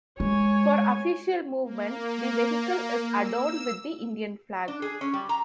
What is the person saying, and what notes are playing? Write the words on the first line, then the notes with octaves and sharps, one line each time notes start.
For official movement, the vehicle is adorned with the Indian flag.
G#3 C#5 G#5
A#3
E6
D4
G#4
C#4
G3
A#5